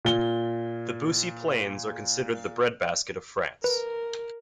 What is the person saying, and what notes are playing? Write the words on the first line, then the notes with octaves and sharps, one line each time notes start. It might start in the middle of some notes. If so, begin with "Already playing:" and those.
The Beauce plains are considered the breadbasket of France.
A#2 G7
A#4 B4